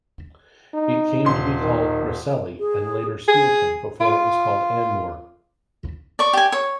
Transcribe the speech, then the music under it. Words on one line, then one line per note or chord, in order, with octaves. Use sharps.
It came to be called Grasselli, and later Steelton, before it was called Anmoore.
D#4
D#1 C6
D#3
G#4
G#4
F4
D5 C#6
G4 G#5
C#5